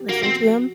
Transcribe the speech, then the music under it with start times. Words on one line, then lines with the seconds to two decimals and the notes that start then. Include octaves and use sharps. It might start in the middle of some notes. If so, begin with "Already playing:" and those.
listen to 'em,
Already playing: G4
0.09 A#3 F#4
0.23 C4 F#4